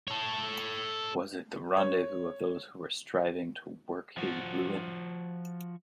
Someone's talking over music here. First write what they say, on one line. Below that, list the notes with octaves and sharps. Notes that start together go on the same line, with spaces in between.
Was it the rendezvous of those who were striving to work his ruin.
A4 C#5
C#5
F3 F#4